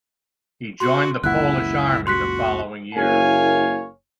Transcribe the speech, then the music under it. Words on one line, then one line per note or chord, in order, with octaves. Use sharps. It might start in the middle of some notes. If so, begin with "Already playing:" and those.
He joined Polish Army the following year.
F#4 C6
F#1 C#2 A#2 E4 F#5 F#6
F#4 C6 F#6 B6
F#1 A#3 E4 C#5 F5 G#5